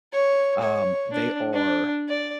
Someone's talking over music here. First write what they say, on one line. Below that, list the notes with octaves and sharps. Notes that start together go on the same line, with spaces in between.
um, they are
C#5
C#5
D4
D4
D5